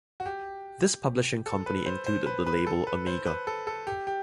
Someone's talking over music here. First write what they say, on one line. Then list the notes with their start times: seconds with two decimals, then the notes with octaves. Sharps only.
This publishing company included the label Amiga.
0.20 F#4
0.26 G4
1.46 A4
1.66 B4
1.86 C5
2.07 C5
2.26 B4
2.46 B4
2.67 A4
2.87 B4
3.07 C5
3.27 B4
3.47 A4
3.67 A4
3.87 G4
4.07 G4